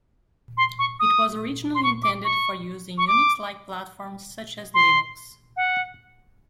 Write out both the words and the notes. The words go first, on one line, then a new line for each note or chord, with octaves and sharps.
It was originally intended for use in Unix-like platforms such as Linux.
C6
C#6
D#6
C6
C#6
D6
C#6
C#6
D6
C6
F#5